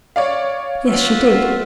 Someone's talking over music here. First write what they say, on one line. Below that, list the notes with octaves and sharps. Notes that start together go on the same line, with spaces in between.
"Yes, she did."
C#5 D5 F5
F4 E5 F#5